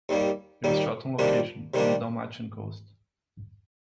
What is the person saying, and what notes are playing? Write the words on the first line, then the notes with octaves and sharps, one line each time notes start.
It was shot on location on the Dalmatian Coast.
D#2 D#3 G3 A#3
D#2 D#3 G3 A#3
C3 D#3 G3 A#3 D4
C3 D#3 G3 A#3 D4